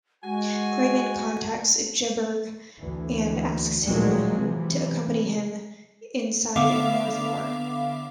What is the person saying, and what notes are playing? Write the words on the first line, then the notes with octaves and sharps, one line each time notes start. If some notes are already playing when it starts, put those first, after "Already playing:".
Craven contacts Jedburgh and asks him to accompany him inside Northmoor.
G#3 F#4 G#5
D2 E3
A#2 D#3 F3 F#3 G#3
C3 E3
D3 B3 E5 F5 D6 F7